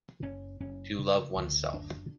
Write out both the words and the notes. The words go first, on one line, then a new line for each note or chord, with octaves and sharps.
To love oneself.
F#1 C#4
F#1 C#4
C#3
D2
F#1 D4